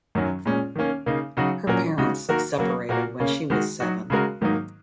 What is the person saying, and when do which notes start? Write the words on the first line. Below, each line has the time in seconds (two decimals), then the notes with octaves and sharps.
Her parents separated when she was seven.
0.15 F#2 D#3 F#3 C#4
0.45 A#2 G#3 C#4
0.76 D#3 A#3 C#4
1.06 C#3 A#3 D#4
1.37 C#3 F#3 D#4 F#4
1.67 A#2 F#3 C#4 A#4
1.97 C#3 G#3 D#4 F#4
2.29 D#3 A#3 F#4 A#4
2.58 C#3 F#3 A#3 F#4
2.89 A#2 A#3 F#4 A#4
3.20 C#3 A#3 C#4
3.50 D#3 G#3 F#4
3.80 F#3 D#4 F#4
4.10 C#3 G#3 F#4 A#4
4.41 G#2 D#3 F#3 A#3 D#4